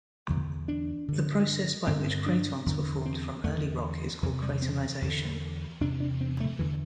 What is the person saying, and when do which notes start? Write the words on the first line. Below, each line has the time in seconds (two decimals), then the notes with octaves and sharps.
The process by which cratons were formed from early rock is called cratonization.
0.29 E2 D3
0.68 D4
1.08 G2 D3
1.87 G2 D3 C4
2.07 C4
2.26 D4
2.66 E2 D3
3.06 C4
3.44 E2 A3
3.49 D3
4.23 E2 C3 E3
4.42 G3
4.62 C4
5.02 E2 D3
5.81 E2 C3 D4
6.00 D4
6.21 C4
6.40 A3
6.59 E2 D3 E3